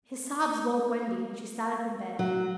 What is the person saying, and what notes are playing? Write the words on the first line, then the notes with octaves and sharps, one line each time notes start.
His sobs woke Wendy, and she sat up in bed.
F#3